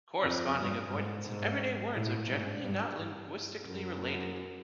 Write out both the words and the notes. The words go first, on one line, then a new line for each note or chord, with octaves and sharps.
Corresponding avoidance and everyday words are generally not linguistically related.
F2
G2
G#2
G#2
A2
G#2
G2
F#2